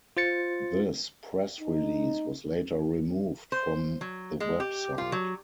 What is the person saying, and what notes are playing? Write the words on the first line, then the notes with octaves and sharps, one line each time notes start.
This press release was later removed from the website.
F4 C5 A6 C#7
D#4
C5
F#3
G#3
G4
F4
F#3